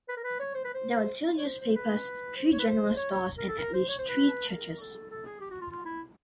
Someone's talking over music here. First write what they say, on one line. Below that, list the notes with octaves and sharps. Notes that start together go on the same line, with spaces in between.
There were two newspapers, three general stores and at least three churches.
B4
A#4
B4
C#5
C5
B4
C5
C#5
C5
C5
B4
C5
C#5
B4
C5
C#5
C#5
A#4
A4
A#4
C5
C#5
C5
B4
A#4
A4
A4
G#4
G4
F#4
F4
F4
E4